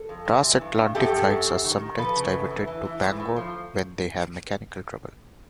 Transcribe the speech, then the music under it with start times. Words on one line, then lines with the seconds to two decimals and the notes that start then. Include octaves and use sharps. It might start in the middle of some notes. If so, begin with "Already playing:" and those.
Transatlantic flights are sometimes diverted to Bangor when they have mechanical trouble.
Already playing: A4
0.09 F2
0.25 C3
0.43 E3
0.61 G2
0.78 G2
0.95 F#2 G4 A4
1.12 F#2
1.30 F#2
1.47 F#2
1.64 D#3
1.81 D#3
1.98 F3 A4 B4
2.16 C#3
2.33 F#2
2.50 E3
2.67 E3
2.85 E3
3.02 A2
3.20 A2
3.36 F3